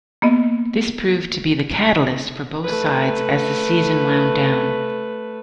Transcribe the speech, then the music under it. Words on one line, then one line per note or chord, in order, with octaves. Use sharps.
This proved to be the catalyst for both sides as the season wound down.
A#3 B3 D#5
A3 B4